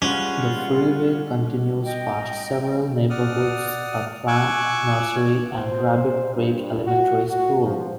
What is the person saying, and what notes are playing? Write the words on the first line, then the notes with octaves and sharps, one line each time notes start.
The freeway continues past several neighborhoods, a plant nursery, and Rabbit Creek Elementary School.
G3 G#3 C#4 F4 B4 F#5
D#5 G5
D5 F#5 D#6 F6
G#5 C#6 D6 E6 F#6
C5
G2
F#4
F#4
F3